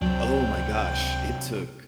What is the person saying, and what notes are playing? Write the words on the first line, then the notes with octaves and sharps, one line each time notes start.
Oh my gosh. It took
C#2 C3 F#3 C4 D4 G5